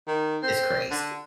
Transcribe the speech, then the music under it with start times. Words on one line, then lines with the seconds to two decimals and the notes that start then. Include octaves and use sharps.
it's crazy.
0.07 D#3
0.43 C4
0.91 D3